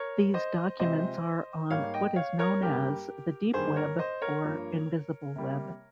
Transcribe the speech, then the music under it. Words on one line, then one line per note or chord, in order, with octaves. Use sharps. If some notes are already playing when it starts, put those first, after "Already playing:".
These documents are on what is known as the deep Web, or invisible Web.
Already playing: A#4 C#5
C5 D#5
C3 F3 G#3 C5 D#5
G#2 G3 A#3 C#5 F5
D#5 G5
C#5 F5
A#4 C#5
G2 G3 A#3 G4 A#4
G2 D#3 G3 A#3 G#4 C5
A#4 C#5
C5 D#5
A#4 C#5
G2 F3 A#3
C3 G3 A#3